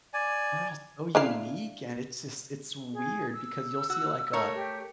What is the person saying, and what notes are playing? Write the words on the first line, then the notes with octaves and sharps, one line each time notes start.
they're all so unique, and it's just it's weird because you'll see, like, a
D5 G#5
D4 E4 F5
G#4
E6
F#4
A3 A#4 C#5
G4